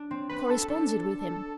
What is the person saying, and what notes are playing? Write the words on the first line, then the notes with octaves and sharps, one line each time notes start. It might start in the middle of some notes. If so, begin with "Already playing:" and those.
"Corresponded with him?"
Already playing: D4
C4
C4 B4
A4
D4 A4